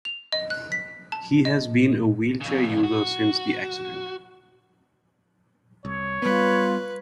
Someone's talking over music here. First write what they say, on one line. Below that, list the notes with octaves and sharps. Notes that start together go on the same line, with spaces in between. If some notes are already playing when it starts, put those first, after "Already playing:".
He has been a wheelchair user since the accident.
F7
D#5
F#6
B6
A5
D#5
F2 C#3
F#4
C2 C#5
G3 B3 F4 B4